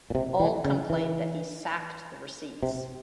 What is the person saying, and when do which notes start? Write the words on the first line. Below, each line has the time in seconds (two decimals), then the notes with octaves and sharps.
All complained that he sacked the receipts.
0.10 A#2
0.15 C3
0.40 E3
0.65 C#3
0.90 E3
2.63 C3